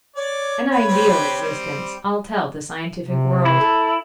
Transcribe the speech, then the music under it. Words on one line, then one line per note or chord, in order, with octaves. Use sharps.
An ideal existence, I'll tell the scientific world.
C#5 D5
B4
C4 G4 B4
G3 C4
C3
E4
A4